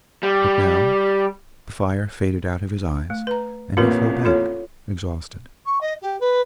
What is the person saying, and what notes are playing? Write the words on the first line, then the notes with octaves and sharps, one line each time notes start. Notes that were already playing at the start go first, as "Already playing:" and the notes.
But now the fire faded out of his eyes and he fell back exhausted.
G3
A3
B4 A#5
A1 F2 A#2 F4 A#4 B4
F4 A4 C#5
C#6
D#5
G4
B4